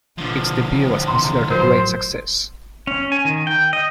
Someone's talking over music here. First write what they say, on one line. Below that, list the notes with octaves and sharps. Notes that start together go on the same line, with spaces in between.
Its debut was considered a great success.
B2 D3 F3
C4
E2 C3 A#5 C6
A2 F#3 F4 F#4 A#4 C5
C#4
G#5
D#3
G5
D#5